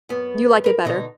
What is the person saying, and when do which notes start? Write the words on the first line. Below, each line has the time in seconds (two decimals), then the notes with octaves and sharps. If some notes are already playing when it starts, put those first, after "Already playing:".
You like it better?
0.09 F#2 B3
0.64 A#4 B4
0.85 B2 D3 D#4